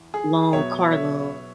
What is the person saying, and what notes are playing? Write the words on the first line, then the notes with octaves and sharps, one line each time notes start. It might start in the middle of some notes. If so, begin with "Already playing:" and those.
loan car loan,
Already playing: E2
G#4
B2 F#3 B3 C#5 E5
C#5 E5